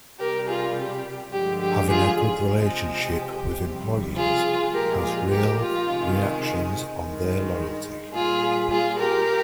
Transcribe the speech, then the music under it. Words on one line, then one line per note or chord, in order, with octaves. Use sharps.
Having a good relationship with employees has real reactions on their loyalty.
C3 G3 G4 A#4
F4 G#4
G4
G2 D3 F3 G#3 G4
G4
F4 G#4
C3 F3 G#3
G4
F2 C3 G3
F4 G#4
A#2 F3 G#3 G4 A#4
F4 G#4
G4 A#4
F4
C3 D#3 G#3
G2 D#3 G#3
A#2 G3 F4 G#4
F4 G#4
G4 A#4